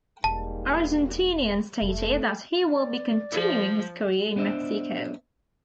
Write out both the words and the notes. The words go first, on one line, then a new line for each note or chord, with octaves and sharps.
Argentinian stated that he will be continuing his career in Mexico.
E1 G#2 G3 A#3 A5
F1 A3
D5
F3
B3 D4 C5 D#5 E5